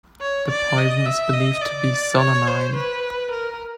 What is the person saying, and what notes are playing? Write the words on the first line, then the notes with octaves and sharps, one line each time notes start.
The poison is believed to be solanine.
C#5
D5
D#5
E5
D#5
D5
C#5
C5
B4
A#4